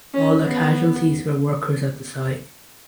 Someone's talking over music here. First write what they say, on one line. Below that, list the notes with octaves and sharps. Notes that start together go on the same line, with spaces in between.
All the casualties were workers at the site.
C#4
B3